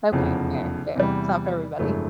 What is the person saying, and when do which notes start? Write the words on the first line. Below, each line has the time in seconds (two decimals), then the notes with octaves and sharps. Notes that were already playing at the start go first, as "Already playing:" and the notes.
Okay, fair, fair. It's not for everybody.
0.12 F1 E2 C#3 F3
0.95 E2 C3 E3 G3
1.79 G#1 F#2 C#3 F3 A3